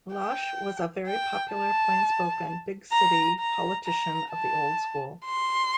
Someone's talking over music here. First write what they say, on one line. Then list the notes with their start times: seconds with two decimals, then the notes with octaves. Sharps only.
Lausche was a very popular, plain-spoken, big-city politician of the old school.
0.14 G5
1.07 G5
1.53 A5
2.92 A#5
3.39 A#5
3.86 A#5
4.32 A5
5.25 C6